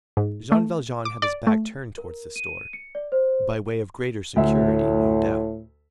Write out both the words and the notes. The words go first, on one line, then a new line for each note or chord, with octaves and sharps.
Jean Valjean had his back turned towards this door, by way of greater security, no doubt.
G#2
A3
D6
D5
A3
A#4
D#7
C#7
D5
C5
D2 A2 E5